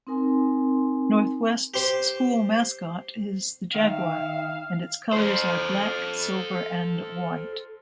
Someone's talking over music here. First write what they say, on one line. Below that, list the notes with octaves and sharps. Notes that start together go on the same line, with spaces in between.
Northwest's school mascot is the jaguar and its colors are black, silver and white.
C4 D#4 A#4 G#5 C6
G4 C5
D#3 E5 F5
A4 C5